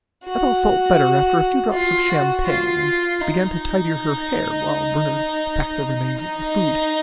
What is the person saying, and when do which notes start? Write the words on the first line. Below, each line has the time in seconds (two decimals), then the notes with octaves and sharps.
Ethel felt better after a few drops of champaigne and began to tidy her hair while Bernard packed the remains of the food.
0.24 F#4
1.72 F4
2.09 F#4
2.46 F4
3.21 D#4
6.18 D#4